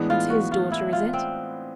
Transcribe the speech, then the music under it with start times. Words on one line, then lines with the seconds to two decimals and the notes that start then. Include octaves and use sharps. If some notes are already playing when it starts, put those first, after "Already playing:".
It's HIS daughter, is it?'
Already playing: A2 E3 G#3 B3 D4
0.10 F4
0.30 F#4
0.52 F4
0.72 E4
0.93 F4
1.14 C4